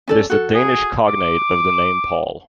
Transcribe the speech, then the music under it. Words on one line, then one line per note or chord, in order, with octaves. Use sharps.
It is the Danish cognate of the name Paul.
C#4 A4 D5
F#4 A4
G#4
D6